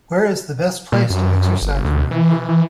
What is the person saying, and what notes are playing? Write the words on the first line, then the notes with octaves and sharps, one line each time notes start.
Where is the best place to exercise around here?
A#2
F#2
G1
D2
E3
E3